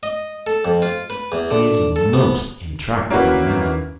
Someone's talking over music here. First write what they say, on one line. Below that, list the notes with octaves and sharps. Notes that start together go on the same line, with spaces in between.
"He is a most intractable man."
D#5
A4
F2
F4
B4
E2
D3
A4
B3
A#3 C#4 E4 F#4 B4